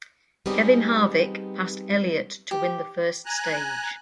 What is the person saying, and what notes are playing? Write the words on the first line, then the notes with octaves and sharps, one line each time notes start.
Kevin Harvick passed Elliott to win the first stage.
G3 B3 C4 D#4 G4 G#4
G4
G#5 A#5 F#6